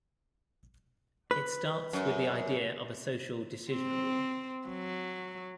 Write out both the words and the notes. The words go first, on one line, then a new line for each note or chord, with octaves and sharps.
It starts with the idea of a social decision rule.
B4
F#2
C4
F#3